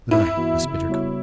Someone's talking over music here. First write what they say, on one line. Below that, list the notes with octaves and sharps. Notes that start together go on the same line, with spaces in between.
The night was bitter cold.
G2 E4
E3 B3 F#4
C#3
G3 B3 F#4 C#5